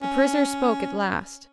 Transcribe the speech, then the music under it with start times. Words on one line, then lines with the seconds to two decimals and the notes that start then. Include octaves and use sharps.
The prisoner spoke at last.
0.02 C#4